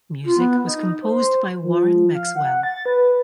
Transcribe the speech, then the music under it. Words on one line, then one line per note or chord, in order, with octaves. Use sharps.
Music was composed by Warren Maxwell.
F4
B3
D#4
C5
F3
F5
F#5
A6
B4